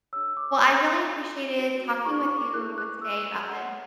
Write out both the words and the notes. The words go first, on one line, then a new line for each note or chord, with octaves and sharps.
Well, I really appreciated talking with you today about this.
D4 G#4 C#5 E6
D6
G#4 C#5
G#4 D5 B5
D4 F#4 B4
E4 G#4 D5 C#6
C#6
D6
E4 G#4 B4 F#6
F#6
G#4 B4 D5 E6
D4 A4 C#5 F#5